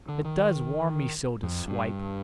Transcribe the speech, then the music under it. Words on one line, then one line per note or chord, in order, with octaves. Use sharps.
"It does warm me so to swipe."
D3
D#3
F2
G2